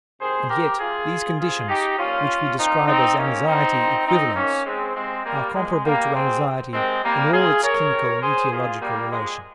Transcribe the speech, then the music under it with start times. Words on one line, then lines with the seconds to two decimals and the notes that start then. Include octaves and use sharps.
And yet these conditions, which we describe as "anxiety equivalents," are comparable to anxiety in all its clinical and etiological relations.
0.20 C3 D#3 G#4 C5
0.49 G4 A#4
0.79 C3 F3 F4 G#4
1.38 C3 F3 F4 G#4
1.68 D#4 G4
1.98 A#2 F3 C#4 F4
2.57 A#2 F3 C4 D#4
2.87 C4 D#4
3.17 C3 D#3 A#3 C#4
3.46 C4 D#4
3.77 A#2 F3
4.06 C4 D#4
4.36 C3 D#3 A#3 C#4
4.66 G#3 C4
4.95 C3 F3 G#3 C4
5.25 G3 A#3
5.55 A#2 F3 G#3
5.84 G3 A#3
6.14 C3 D#3 G#3 C4
6.73 C3 D#3 G#3 C4
7.03 G3 A#3
7.33 C3 F3 F4 G#4
7.62 A#4 C#5
7.92 C3 D#3
8.22 G#4 C5
8.51 A#2 F3 F4 G#4
8.81 G3 A#3
9.11 A#2 F3 G#3